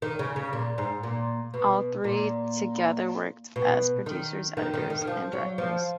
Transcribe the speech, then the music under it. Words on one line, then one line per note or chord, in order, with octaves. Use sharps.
All three together worked as producers, editors and directors.
D#3
C#3
C#3
A#2
G#2
A#2
B2
A#2
B2
D#3
D#3
D#3
D#3
D#3
F3
F#3
F3